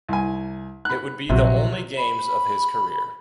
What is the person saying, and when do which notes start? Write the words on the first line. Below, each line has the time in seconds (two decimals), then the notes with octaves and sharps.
It would be the only games of his career.
0.09 C2 G#5
0.85 B5 F#6
1.29 A#1 C3 F#3
1.98 B5